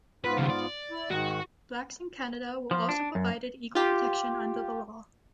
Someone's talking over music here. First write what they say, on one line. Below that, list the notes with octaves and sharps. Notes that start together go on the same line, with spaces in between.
Blacks in Canada were also provided equal protection under the law.
G#2 B3 F4 B4
D#2 C#3
D5
E4
G#2 D#3 F#4
F3
D4
F#2
F4 G4